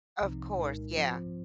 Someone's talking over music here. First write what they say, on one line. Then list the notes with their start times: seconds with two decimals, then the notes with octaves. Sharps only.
Of course, yeah.
0.21 C2 C3 F3 C4 D#4
0.58 C2 A#2 G#3 D#4 A#4
0.95 G#2 F3 C4 F4 C5